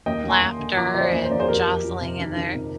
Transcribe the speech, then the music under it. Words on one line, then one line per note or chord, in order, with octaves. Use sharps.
laughter and jostling in there.
D#2 D#5 G5
D#2
G#5 C6
D#2
D3
F3 A#5 D6
F3 D5
C5 D#5
D#2
C5
D#2 D5
G#4 C5
F2 G4 A#4
F2
F2
C3
D#3
D#3
C3